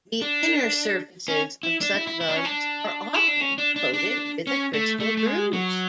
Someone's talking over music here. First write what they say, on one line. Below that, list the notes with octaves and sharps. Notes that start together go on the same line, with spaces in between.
The inner surfaces of such vugs are often coated with a crystal druse.
D4
C#4
E4
D4
E4
E4
E4
D4
C#4
D4
E4
D4
C#4
D4
D4
D4
C#4
A3
A3
A3
G#3
F#3